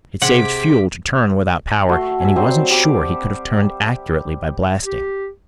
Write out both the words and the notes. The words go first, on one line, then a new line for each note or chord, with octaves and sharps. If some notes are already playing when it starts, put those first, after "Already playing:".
It saved fuel to turn without power, and he wasn't sure he could have turned accurately by blasting.
C3 G#4 F#5 D6 B6
A3 F#4 C6
E5 G#5
F#3 G3 C4 C6
G3 G4 D6
G4